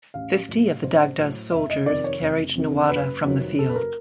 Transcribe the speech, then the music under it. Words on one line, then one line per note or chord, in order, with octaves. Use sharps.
Fifty of the Dagda's soldiers carried Nuada from the field.
A1 F5
A2 F#3
A1 C5
A2 F#3
F1 E5
D#5
F2 C3 D#3 D5
C#5
F1
F2 C3 D#3
F#1 B4
F2 C3 D#3 F#3
F#1 A4
B4
A#4